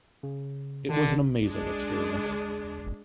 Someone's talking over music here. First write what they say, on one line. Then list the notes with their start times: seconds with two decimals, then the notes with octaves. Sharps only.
It was an amazing experience.
0.23 C#3
0.89 D3 D#3
1.47 G#3 D4